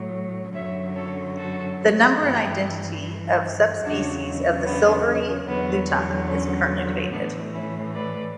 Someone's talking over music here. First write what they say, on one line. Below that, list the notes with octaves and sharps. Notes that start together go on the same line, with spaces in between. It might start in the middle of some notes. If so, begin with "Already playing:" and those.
The number and identity of subspecies of the silvery lutung is currently debated.
Already playing: A2 F#3
F#2 D3 F#3 C#5 E5
A4 C#5
F#4 A4
G2 E3 E4 G4
E2 C#3 F#3 D4 F#4
B3 D4
E2 D3 F#3 B3
C#4
A2 E3 B3 D4
C#4 E4
B4 D5